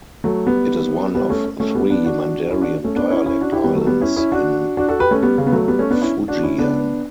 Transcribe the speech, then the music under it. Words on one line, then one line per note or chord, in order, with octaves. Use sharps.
It is one of three Mandarin dialect islands in Fujian.
F#3 A3
G3 B3
G3 B3
A3 C#4
A3 C#4
G3 B3
B3 D4
D4 F#4
C#4 E4
D4 F#4
A3 C#4
B3 D4
C#4 E4
C#4 E4
D4 F#4
E4 G4
G3 B3
F#3 A3
G3 B3
C#4 E4
C#4 E4
D4 F#4
D4 F#4
F#4 A4
G4 B4
A3 C#4
G3 B3
C#3
B3
F#3 A3
G3 B3
A3 C#4
B3 D4
C#4 E4
D4 F#4
C#4 E4
B3 D4